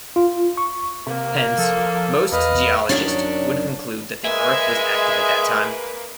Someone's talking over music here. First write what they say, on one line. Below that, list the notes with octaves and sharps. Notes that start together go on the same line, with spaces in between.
Hence, most geologists would conclude that the Earth was active at that time.
F4
C#6
C3 A#3
F3 A4
E2 B4 D#5 F5
F#2 A2 D#3 F#3 C#4 D4
G#3 A#3 B4 E5 G#5